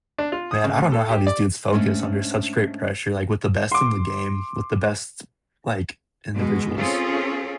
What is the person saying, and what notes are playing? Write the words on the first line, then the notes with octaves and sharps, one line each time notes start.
"Man, I don't know how these dudes focus under such great pressure, like, with the best in the game, with the best, like, individuals."
D4
F4
D#6
C#3
A2
A4
G4
D5
G#2 A3 C#4 D4 C#5 D#5
C6 D6
B2 G#3
C4 C#4 F4 G#4 A4